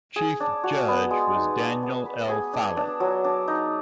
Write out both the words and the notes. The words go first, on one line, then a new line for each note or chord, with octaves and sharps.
Chief Judge was Daniel L. Follett.
G#4
D4
F#4
B3
G#3
D#4
D4
B3
B4
G#4
D4
D4
F#3
D4
D#4